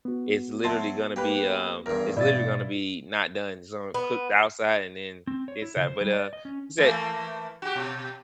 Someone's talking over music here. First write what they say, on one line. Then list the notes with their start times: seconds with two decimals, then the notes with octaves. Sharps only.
it's literally gonna be, um, it's literally gonna be not done. It's gonna cook the outside and then inside. But, uh, she said
0.05 B3 F#4
0.64 F#3 E5 A5 C6
1.16 A#3 G4 B4
1.86 E2 G2 A#4
2.17 G#2 B2 E4 D5 D#5 F5 A6
3.94 B3
5.27 C4
5.48 C#5
5.62 E4
5.76 C#3
5.87 C5
6.01 G3
6.13 D5
6.33 D#5
6.45 C#4
6.78 E3 A3 A#3
7.62 F#4 G4
7.76 B2